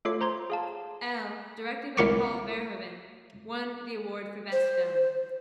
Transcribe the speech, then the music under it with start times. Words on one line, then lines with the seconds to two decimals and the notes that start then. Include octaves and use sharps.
"Elle", directed by Paul Verhoeven, won the award for Best Film.
0.05 A3 F4 A4 C#5 D6 C7
0.21 C5 A#5 C6 G#6
0.50 G#4 F5 A5
1.97 C2 E3 B3 A#4 C#6 D6
4.52 C5